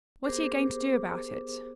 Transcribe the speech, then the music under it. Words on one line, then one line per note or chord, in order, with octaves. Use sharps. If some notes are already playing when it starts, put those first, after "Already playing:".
"What are you going to do about it?"
B3 G4 G#4 A#4 C5 D6